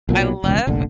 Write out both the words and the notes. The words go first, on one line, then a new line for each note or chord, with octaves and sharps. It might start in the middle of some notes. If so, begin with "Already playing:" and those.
I love
B1 A#2 D3 F#3
E1 C#2
F1 A#1 D3